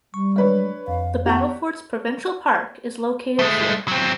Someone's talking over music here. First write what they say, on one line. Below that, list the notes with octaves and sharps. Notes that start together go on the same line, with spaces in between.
The Battlefords Provincial Park is located here.
G3 C#6
F#3 G#3 D4 B4 C#5
F2 F5
B3 G4 F#5 A#5
G#3 A3
F#3 C4